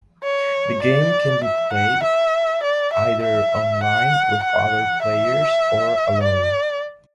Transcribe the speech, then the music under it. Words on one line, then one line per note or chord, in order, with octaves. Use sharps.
The game can be played either online with other players or alone.
C#5
D5
E5
F#5
E5
D5
E5
E5
F#5
F#5
E5
D5